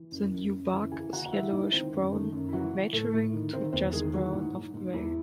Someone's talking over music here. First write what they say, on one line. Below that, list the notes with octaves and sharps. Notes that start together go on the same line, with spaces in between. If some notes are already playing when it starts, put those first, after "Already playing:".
The new bark is yellowish brown, maturing to just brown of gray.
Already playing: E3
F#2
F#2
F#2
E3
E3 G#4 G#5
E3 F#4 F#5
F#5
E3 E4 E5
G#2 D#4 D#5
D#3 C4 C5
F#2
D#3 A3 A4
F#2
E4
E3 F#3 F#4
E3
A2 A3 A4
A2
D#3
D#3 C4 C5
E2 C4 C5
D#3 G#3 G#4
E3 F#3 F#4
G#2
G#2
G#2
E2 E4